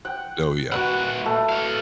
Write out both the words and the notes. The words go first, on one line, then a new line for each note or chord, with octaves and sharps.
Oh, yeah.
F#5 G5
A#2 F#4 B4 F#5
A3
A4 F5